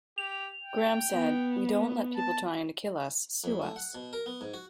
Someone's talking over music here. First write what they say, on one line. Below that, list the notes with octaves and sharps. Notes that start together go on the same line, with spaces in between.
Graham said, We don't let people trying to kill us sue us.
G4 F7
G5
B3
A5
F2
A3
F#5
B2
A#4
B3
G#2
F#4